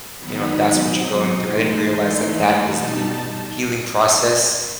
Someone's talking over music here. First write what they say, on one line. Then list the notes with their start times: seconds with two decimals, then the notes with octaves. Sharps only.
you know," that's what you're going through. I didn't realize that that is the healing process."
0.17 D#3 F#3 B3 D#4 B5
0.77 B2 F#3 C4 D#4 D#6
1.36 E3 A3 D#4 C6
1.95 E3 A3 D#4 C6
2.26 B5
2.55 B2 G3 D#4 A5
2.85 A5